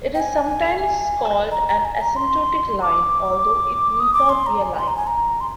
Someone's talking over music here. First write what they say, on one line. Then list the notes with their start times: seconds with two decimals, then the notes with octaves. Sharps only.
It is sometimes called an asymptotic line, although it need not be a line.
0.15 G5
0.20 G#5
1.51 A#5
1.68 A#5
1.85 G#5
1.95 G#5
2.01 A#5
2.16 C6
2.82 D6
4.00 D#6
4.14 D6
4.29 C6
4.46 A#5
4.62 G#5
4.79 C6
4.88 A#5
4.97 G#5
5.07 A#5
5.41 C6